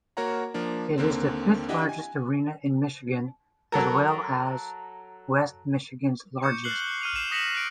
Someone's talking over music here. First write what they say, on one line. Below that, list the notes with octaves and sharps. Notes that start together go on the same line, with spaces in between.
It is the fifth-largest arena in Michigan, as well as West Michigan's largest.
A#3 F#4 A#4 C#5 F#5 A#5
F3 A#3 D4
D#2 D3 A#3 C4
D4 E4 G4 D#5 F#5 G5
G#5
F#3 A4 A#4
C#6 D6 G6 C#7
F6 F#6 C7 F#7 G7
F6 D#7 F7
C7 E7 F#7
D#6 A#6 B6 C#7 E7 F#7
F#6 D7